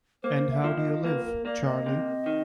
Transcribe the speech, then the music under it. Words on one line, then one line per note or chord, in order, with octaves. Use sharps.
And how do you live, Charley?
A#3 C5
E5
F3
D#5
A#3 B4
A#4
A#3 D5
D#5
C3
D#3